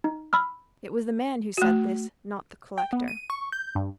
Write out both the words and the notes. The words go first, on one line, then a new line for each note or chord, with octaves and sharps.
It was the man who said this, not the collector.
D#4
B5 E6 F6
A3 F#4
G5
B3
D#7
C#6
G6
G2